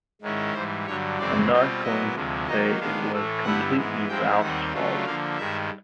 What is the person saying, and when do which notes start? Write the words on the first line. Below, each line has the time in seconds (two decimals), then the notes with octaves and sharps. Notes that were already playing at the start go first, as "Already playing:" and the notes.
I'm not going to say it was completely Ralf's fault.
0.22 G#2 D#3 G#3 C#4 E4
0.54 G#2 E3 G3 C5
0.86 G2 D3 F#3 C#5
1.18 F#2 C#3 E3 G#3 C4 D5
1.51 B2 G3 C4 F4
1.83 A#2 F#3 B3 E4 D#5
2.15 D2 C3 F3 G#3
2.47 D#3 F#3 A#3 D#4 D#5
2.80 D#3 G#3 B3 D4 F5
3.12 A2 E3 A3
3.44 G2 D3 G3 B3 E4 F#5
3.76 G#2 E3 G#3 B3
4.08 G#2 F3 G#3 C4 E4 G5
4.41 D#2 D#3 G3 C4 D#4 F#5
4.73 C#3 F#3 A3 D4 F4
5.05 D3 F3 A#3 F5
5.38 G2 D#3 G#3 E5